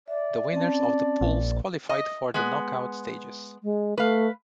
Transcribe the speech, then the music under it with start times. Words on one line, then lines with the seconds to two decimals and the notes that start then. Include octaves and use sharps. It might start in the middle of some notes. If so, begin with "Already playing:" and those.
The winners of the pools qualified for the knock-out stages.
0.08 D5 E5
0.52 C4 C#4 A5
1.21 A#1
1.89 D#5
2.34 G#3 B3
3.63 G#3
3.97 A3 B4 F5